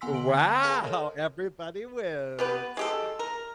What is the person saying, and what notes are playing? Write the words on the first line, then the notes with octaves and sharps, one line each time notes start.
Wow! Everybody wins,
B3 F#5 G#5 C6 E6 B6
D3 D7 F#7
G5 G#6
F5 C6 F6
G#4 B4 F5 G#5 A5 A#6
A4 A#4 C#5 D#5 C6 F6
B3 G4 B4
G#3 G4 A4
A#4